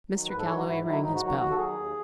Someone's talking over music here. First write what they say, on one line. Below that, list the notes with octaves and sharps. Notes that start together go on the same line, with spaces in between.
Mr. Galloway rang his bell.
D#3 F#3
G#2 B4
A4
D#3 F#3 C#5
F#4
G#2 E4
D#3 F#3 E4
G#2 D#4
F#4
D#3 F#3
F#4
D#2 F#4
A4
D#3 F#3 G#4
D#2